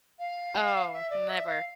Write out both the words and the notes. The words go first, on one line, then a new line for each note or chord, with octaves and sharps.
Oh, never.
F5
E5
D5
E5
F5